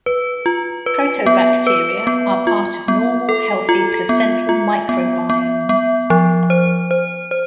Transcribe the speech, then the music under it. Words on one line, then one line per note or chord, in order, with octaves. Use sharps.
Protobacteria are part of normal, healthy placental microbiome.
B4
F4
B4
B3
B4
B3
F4
B3
A4
F4
B3
F4
B3
B3
B3
F3
C5
C5
C5